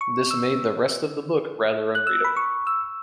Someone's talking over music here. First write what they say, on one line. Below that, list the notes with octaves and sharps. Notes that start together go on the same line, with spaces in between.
This made the rest of the book rather unreadable.
C#6
E6
F#6
E6
B5
C#6
E6